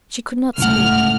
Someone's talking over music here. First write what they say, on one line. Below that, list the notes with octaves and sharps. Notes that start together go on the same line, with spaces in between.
She could not speak.
C#2 A2 A3 F#5 F6